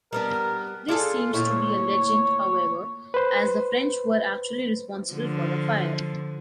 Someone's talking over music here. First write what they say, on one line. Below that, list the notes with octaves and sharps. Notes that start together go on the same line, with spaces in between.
This seems to be a legend however, as the French were actually responsible for the fire.
G3 B3 D4 A#4
D4 F4 G#4 A4
D2 A#2 E4 C#5
B4 C5
D3 F3